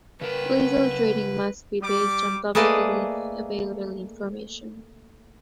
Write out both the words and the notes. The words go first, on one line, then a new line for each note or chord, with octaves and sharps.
Legal trading must be based on publicly available information.
C#3 A#4 B4
G3 D6
A3 A#3 G#4 B4 D5 D#5